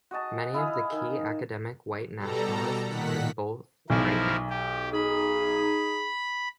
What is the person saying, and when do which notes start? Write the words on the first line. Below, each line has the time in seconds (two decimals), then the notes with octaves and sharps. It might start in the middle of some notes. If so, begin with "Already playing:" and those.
Many of the key academic white nationalists in both Right Now!
0.11 F#4 G#4 D#5 A5
0.54 E4 G#4 D#5 F5
0.92 D#3
2.16 B2 G3 A4 A#5
2.85 A#2 D#3 F#5 B6
3.90 B1 F3 E4 A#4
4.50 G4
4.93 D#4 G#4 B5